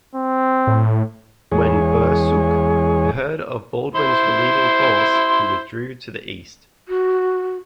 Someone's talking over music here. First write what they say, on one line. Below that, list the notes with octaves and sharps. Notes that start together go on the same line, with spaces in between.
When Bursuq heard of Baldwin's relieving force, he withdrew to the east.
C4
A2
E2 G#3 G#4 C#5
E4 C5 C6
F#4